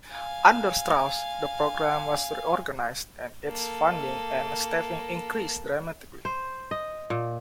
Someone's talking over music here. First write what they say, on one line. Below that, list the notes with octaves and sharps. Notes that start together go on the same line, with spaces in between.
Under Strauss the program was reorganized, and its funding and staffing increased dramatically.
F5 G#5
A#3 A4
C5
D#5
A#2